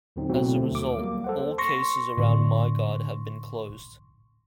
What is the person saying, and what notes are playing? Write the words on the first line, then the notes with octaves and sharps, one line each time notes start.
As a result, all cases around MyGuide have been closed.
D#2 D3 F#3 C4 D#4
B2 F#3 A3 C4 E4 F#4
D3 A3
D#2 D6
F#3 G3 A#3
A4 C5 F#5
C6 C#6 A#6
A2 D3